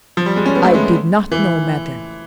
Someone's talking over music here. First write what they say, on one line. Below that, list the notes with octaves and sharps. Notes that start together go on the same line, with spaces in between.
I did not know, madam.
F3
G3
G#3
C#4
B3
A3
G#3
E3